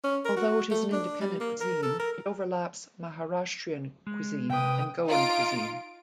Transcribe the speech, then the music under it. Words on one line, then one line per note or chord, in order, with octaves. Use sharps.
Although it is an independent cuisine, it overlaps Maharashtrian cuisine and Goan cuisine.
C#4
A#4
F#4
A3
D4
G3
A#3
A#4
A4
A#4
G#3
C3 B4 G5 D#6
D#4 F4 D7